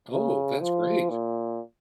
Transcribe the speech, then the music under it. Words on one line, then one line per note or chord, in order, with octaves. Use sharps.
Oh, that's great.
C#3
F3
A#2